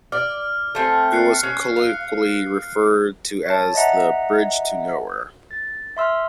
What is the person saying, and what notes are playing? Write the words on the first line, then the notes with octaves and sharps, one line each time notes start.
It was colloquially referred to as "The Bridge to Nowhere".
D5 F6
A3 C4 G#5
F#6 C7 C#7
C#4
F5
C#5 A5
D#5 E5 F#5 A#5
A6
E5 C6 E6 F6